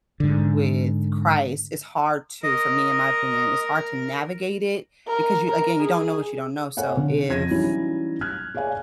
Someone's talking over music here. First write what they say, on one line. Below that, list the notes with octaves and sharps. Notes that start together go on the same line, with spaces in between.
with Christ, it's hard to for me, in my opinion, it's hard to navigate it, because you again, you don't know what you don't know, so if
G#2 D3
A#4 D#5
A#4
A#4
G#4
A4 C5 C#5 F5 F#5 G#5
D3
F2 G#6 A#6 D#7
E3 F#3 G3 C#4 D#4 E4
F6 F#6 G#6
G#4 C#5 D5 F5 G#5